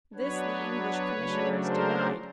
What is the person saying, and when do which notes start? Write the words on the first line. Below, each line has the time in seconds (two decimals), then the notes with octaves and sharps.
This the English Commissioners denied.
0.14 F#3 B3 D4 B4 C#5
1.13 C#3 F#3 A3 D4
1.62 A#4 C5